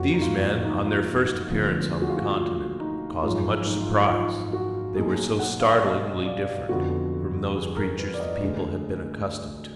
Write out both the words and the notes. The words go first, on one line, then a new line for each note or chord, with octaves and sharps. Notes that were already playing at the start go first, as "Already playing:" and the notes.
These men, on their first appearance on the Continent, caused much surprise, they were so startlingly different from those preachers the people had been accustomed to.
Already playing: F#1 F2 F3 F#4
D#4
F4
D#4
F4
D2 D3 F3 B3
G#4
F#4
F4
F#4
F4
D#4
G#1 F#2 F3 G#3 D#4 F4
D#4
F4
D#4
F4
F#4
B1 B2 A#3 D#4 G#4
F#5
F5
D#5
D5
F2 D3 F3 B3 F#4
G#4
A#4
B4
D5
D#5
D2 D3 G#3 D4